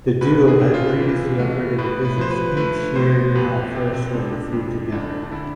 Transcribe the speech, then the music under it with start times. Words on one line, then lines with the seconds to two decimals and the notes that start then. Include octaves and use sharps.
The duo had previously operated the business Eat Here Now Fresh Local Food together.
0.21 D2 B4
0.48 G#4
0.60 C3
0.74 F4
1.00 E3
1.39 A3
1.78 A2 B4
2.05 B4
2.18 F3 C5
2.31 B4
2.57 A3 B4
2.96 A2 C5
3.35 F2 B4
3.75 C3 C4
3.94 C4
4.13 G#3 D4
4.52 F2
4.92 D2 D4
5.23 D4
5.31 D3 E4